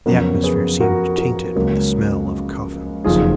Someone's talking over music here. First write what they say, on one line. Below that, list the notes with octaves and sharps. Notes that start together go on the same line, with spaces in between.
The atmosphere seemed tainted with the smell of coffins.
F2 C#3 F#3 B3 F#4 A#4
G#4 B4
F#4 A#4
F#4 A#4
C#2 C#3 F#3 A#3
F#1 F2 D#3 F4 G#4